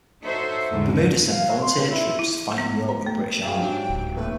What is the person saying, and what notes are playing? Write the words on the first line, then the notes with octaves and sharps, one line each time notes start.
Bermuda sent volunteer troops to fight in Europe with the British Army.
D#4 F#4 A4 C5 C#5 E5
E2 G#2 D3
F5
F#3
C6
G2
E4
E4
B3
A#5
A3
F#4 G#4 F5 G5
G#2 F#3 D4 G4
D1
E1 D#2 A3 B4